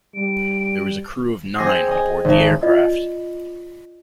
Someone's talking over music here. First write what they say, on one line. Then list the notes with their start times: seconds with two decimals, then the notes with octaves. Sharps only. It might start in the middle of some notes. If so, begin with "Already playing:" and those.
There was a crew of nine on board the aircraft.
0.14 G3 D7
1.58 C4 G#4 D#6 A#6 C7
1.91 D#5 G#5 D#6
2.24 G#1
2.63 F4 D5 D#5